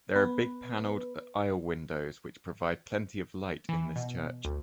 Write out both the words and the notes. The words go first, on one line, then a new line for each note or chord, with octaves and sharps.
There are big panelled aisle windows which provide plenty of light in this church.
B3 B4
E3
B2
D2